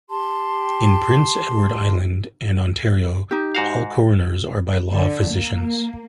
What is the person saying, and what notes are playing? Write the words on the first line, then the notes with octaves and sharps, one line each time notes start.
In Prince Edward Island, and Ontario, all coroners are, by law, physicians.
G4 A5 C6
D#4 G4
G#2 F#4 F5
D3
A#3